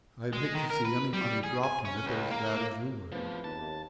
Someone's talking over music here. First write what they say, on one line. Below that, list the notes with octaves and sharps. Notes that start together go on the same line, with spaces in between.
I'd hate to see any money dropped in it as bad as you would.'
G#3
D#3
A#4
B4
G3
G#4
G#5
C#4
C#2
A#3
A#3
E2 A2 F3 C4 B4
D#2 A5